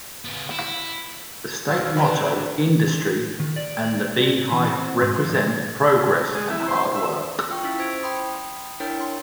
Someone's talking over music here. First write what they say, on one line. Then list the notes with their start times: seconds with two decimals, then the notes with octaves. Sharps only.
The state motto "Industry" and the beehive represent progress and hard work.
0.25 C#3 B3
0.51 E4
1.68 B1 F5 E6
1.96 E2 C4 B4 B5
2.31 D4
3.40 D#3
3.56 D5
4.52 E3
4.69 C4
5.02 G#2
5.17 F3
6.35 G#3
6.50 E4
6.68 C5
6.95 E5
7.50 F4 G5 C#6
7.63 C#4 E4 E6 B6
7.79 C5 G#6 D7
8.03 G5 B5 C6 D#6
8.80 D4 E4 A#4 C#5 G5
9.00 C6